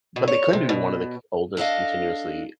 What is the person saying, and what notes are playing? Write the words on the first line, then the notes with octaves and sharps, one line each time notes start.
but they claim to be one of the c oldest continuously
B2
C#5
C3
B2
D4 A4 D#5 F5